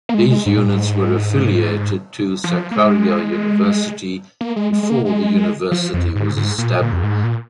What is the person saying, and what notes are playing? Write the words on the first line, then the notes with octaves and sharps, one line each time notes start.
These units were affiliated to Sakarya University before the university was established.
A#3
G#3
G#3
G#2
A#2
G#2
F3
A#3
G#3
A#3
G#3
G#3
G#3
A#3
G#3
F3
F2
G#2
G#2
A#2
A#2
F2
G#2
A#2